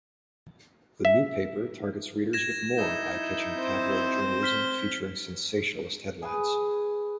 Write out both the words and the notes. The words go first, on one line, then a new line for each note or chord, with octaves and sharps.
"The New Paper" targets readers with more eye-catching tabloid journalism featuring sensationalist headlines.
E5
G#6 A#6 E7
D#4 E4 G6
C4 C5
F6 B6 G7
G#4 B4